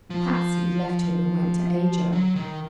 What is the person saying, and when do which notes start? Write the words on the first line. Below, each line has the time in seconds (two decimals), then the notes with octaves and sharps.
Patsy left him and went to Ajo.
0.10 F3
2.12 F#3
2.36 D#3